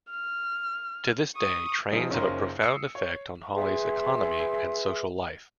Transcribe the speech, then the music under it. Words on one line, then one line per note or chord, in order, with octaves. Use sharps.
To this day trains have a profound effect on Holly's economy and social life.
F6
C#6 D#6
E3 F3 D#4 G#4
F#1 C#4 D#4 F4 A#4 C5
D#6 E6 C7 C#7
C#5
G#4 B4 E5 C6